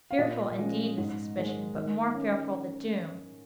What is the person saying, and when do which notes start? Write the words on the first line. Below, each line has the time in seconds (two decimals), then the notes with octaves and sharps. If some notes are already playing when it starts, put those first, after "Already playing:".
Fearful indeed the suspicion--but more fearful the doom!
0.11 F5
0.18 A#2 D#5
0.58 F3 G#3 C#4
0.98 G#2
1.36 D#3 G#3
1.76 D#3
2.14 C#4